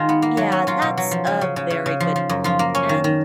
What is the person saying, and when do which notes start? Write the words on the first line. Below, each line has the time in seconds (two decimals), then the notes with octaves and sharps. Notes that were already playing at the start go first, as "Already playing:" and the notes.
Yeah. That's a very good point, and
Already playing: D#3 G#3 D#4 F4
0.09 B3
0.22 A#3
0.37 F#3
0.52 C#4
0.67 F#3 F4
0.82 B2
0.97 F#3
1.11 F3
1.27 C#3
1.41 C#3
1.56 C#3
1.70 C#3
1.86 C#3
2.00 F3
2.16 F3
2.29 F#2
2.44 F3 F4
2.59 A#3
2.75 C#4
2.89 D#3
3.04 D#3